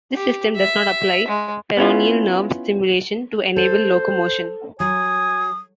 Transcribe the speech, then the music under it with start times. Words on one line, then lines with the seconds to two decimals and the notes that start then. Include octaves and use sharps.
This system does not apply peroneal nerve stimulation to enable locomotion.
0.14 G4
0.56 E5
1.28 G#3
1.77 B3 C#4 E4 F4
3.56 A4 C5
4.80 F#3 G#5 D#6